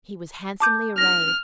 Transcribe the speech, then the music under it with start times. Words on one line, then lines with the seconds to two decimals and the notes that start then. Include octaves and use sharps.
He was handsomely arrayed.
0.60 A5 D6 G6
0.98 F6 A#6